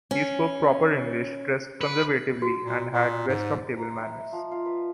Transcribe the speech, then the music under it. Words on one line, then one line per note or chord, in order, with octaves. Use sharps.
He spoke proper English, dressed conservatively, and had the best of table manners.
C#4
B4
F#4
A#2
A#2
G#2
A#5
C6
E4
D#5
F3
F4
B4